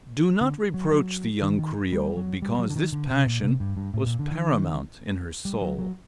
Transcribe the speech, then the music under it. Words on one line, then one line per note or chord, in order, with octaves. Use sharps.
Do not reproach the young Creole, because this passion was paramount in her soul.
D3
F#3
F#3
D#3
D#3
G3
F#3
G3
F#3
D3
D#3
D3
C3
A#2
C3
G2
G2
A2
A#2
D3
D#3
G3
F#3
F#3